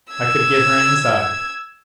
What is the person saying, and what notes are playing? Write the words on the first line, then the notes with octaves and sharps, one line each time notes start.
I could get her inside.
E6 G#6